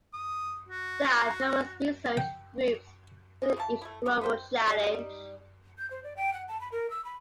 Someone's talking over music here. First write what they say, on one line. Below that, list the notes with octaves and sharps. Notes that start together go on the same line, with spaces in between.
There are numerous research groups within each Global Challenge.
D#6
F#4
G5
G#3 G#4
C#3 E3 D4 A5
A3 E4
D#4 E4 G4 A#4
B4 C5 G5
G3 D#4
G6
C5
D5
G5
F#5
A5
B5
A#4
E6
B5